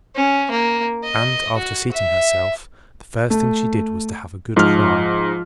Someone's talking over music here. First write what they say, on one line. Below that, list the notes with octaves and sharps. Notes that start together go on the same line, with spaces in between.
And, after seating herself, the first thing she did was to have a good cry.
C#4
A#3
D#5
F#4
E5
A3
G#2 F3 F6